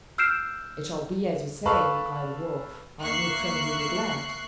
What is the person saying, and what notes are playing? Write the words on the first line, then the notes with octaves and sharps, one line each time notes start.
"It shall be as you say," replied the Wolf; "our new friend will be glad."
E6 F6 G6 C7 D7 E7
A4 B4 F5 A5 B5 C#6
D#2 A#3 E5 C#6 F#6 C7